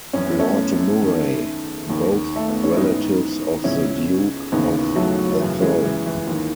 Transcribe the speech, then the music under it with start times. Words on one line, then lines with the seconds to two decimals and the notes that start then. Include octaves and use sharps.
Lord Murray, both relatives of the Duke of Atholl.
0.13 F#2 E3 C#4
0.26 B3
0.39 A3 C#4
1.02 E2 D#3
1.89 D#2 D#3
2.36 A3
2.49 B3
2.63 C#4
2.77 G#2 E3 B3 D#4
3.64 C#2 B2 C#4 E4
4.52 D#2 C#3 E3 B3 D#4
4.96 F#3 A3
5.40 F#2 C#3 E3
5.62 E3 G#3
5.84 E3
6.06 E3
6.27 D#2 D#3